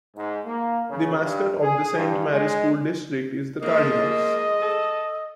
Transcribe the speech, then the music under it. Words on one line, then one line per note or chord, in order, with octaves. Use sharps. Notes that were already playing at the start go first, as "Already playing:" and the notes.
The mascot of the Saint Mary school district is the "Cardinals".
G#2
A#3
C#3
G2
G#4
G2
G#3
G#2 F3 A#3 D#5
A4